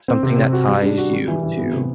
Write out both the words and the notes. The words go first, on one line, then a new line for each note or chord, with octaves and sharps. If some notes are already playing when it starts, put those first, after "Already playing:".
something that ties you to
C4
C3
C3
F#4
G3
D4
F#4
G3
E3
E3
B3
C3